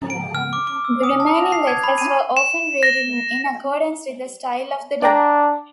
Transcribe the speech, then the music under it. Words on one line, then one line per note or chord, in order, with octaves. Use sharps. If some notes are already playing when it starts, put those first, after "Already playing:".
The remaining letters were often rewritten in accordance with the style of the day.
D7
F6
D6
D6
E6
D#6
A5
F7
C7
G#6
B5
D#7
E7
A#6
D4 D5 G5 A#5